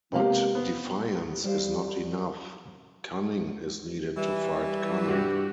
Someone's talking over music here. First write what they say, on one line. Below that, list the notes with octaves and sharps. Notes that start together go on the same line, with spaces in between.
But defiance is not enough; cunning is needed to fight cunning.
C3 G#3 A#3 B3 G4 F5
B3 C5
G3 C5 F5
E3 G3
G2 F#4 G4